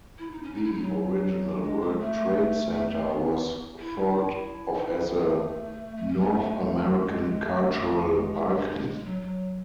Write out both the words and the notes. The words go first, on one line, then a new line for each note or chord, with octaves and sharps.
The original World Trade Center was thought of as a North American cultural icon.
E4
D#4
C#4
D#4
E4
D#4
F#3
G#3
G#3
A3
A3
A3
B3
E4
D#4
E4
D#4
E4
C#4
B3
A3
A3
C#4
B3
A3
G#3
G#3
A3
G#3
G#3
F#3
F#3